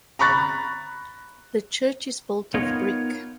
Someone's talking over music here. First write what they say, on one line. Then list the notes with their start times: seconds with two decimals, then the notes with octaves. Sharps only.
The church is built of brick.
0.19 A#5 B5 C#6 F#6 A6
2.54 B3 D#4 F4 A#4 C#5